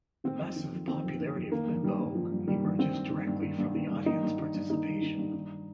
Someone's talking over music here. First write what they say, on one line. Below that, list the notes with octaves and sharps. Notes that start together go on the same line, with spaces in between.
The massive popularity of limbo emerges directly from this audience participation.
D#3 C4
F2
D#3
F2
D#3 C4
F2
D#3
F2
D#3 A#3
G2
D#3 G3
G2
D#3 F3
G2
D#3 G3
G2
D#3 C4
G2
D#3
G2
D#3
G2
D#3
G2
D#3 D#4
G2
D#3
G2
D#3 D#4
G2
D#3
G2
D#3